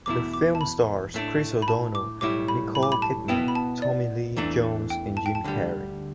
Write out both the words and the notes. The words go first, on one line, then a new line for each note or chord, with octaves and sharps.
The film stars Chris O'Donnell, Nicole Kidman, Tommy Lee Jones and Jim Carrey.
E2 B2 A3 E4 D6
D6
A5
B5
A2 A3 D4
B5
A5
D6
B1 A2 G3 E4 D6
B5
B5
D6
B5
A5
B2 B3 E4 G5
B5
A5
D5
E2 E3 A3 D4
G5
A5
G5
A5
D2 D3 G3